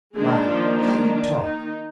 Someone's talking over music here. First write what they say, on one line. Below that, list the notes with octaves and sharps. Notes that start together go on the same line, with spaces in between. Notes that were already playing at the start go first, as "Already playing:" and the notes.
Why, how you talk!
D#3 G#3 A#3 D4 G#4
F3 F4
D4
D4
D#4